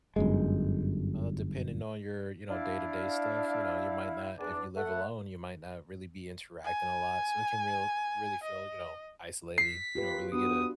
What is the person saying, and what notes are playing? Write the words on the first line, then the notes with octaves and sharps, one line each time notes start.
uh, depending on your, you know, day-to-day stuff, you know, you might not if you live alone, you might not really be interacting a lot, so it can real really feel, you know, isolating, you know, really get a
G1 F#2 G#3
D4 E4 F5
E2 D4
A3 F#5
G#5
D#5
B6 C7
F4 G4 B4
B3 D4 F#4 D#6